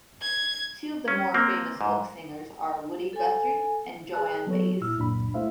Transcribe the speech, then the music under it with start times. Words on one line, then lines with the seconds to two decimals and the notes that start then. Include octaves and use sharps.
Two of the more famous folk singers are Woody Guthrie and Joan Baez.
0.22 G#6
1.08 C#4
1.34 A#3 C4
1.81 G#2
3.13 A4 G#5
4.13 G#4 B4 D5 A5 F#6
4.47 F#3 B3 A4 C#5
4.81 A#2 E4 E6 F6
4.97 C#2 F#2 A#2 D4 B5
5.34 A3 E4 C5 E5 F5